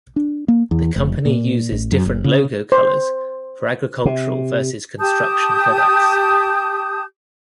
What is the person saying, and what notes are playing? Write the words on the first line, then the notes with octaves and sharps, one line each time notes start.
The company uses different logo colors for agricultural versus construction products.
D4
A#3
E2
F1
A#2
A1
F#2
F#1
C#3
C5
C3
G4 A5 D#6 G6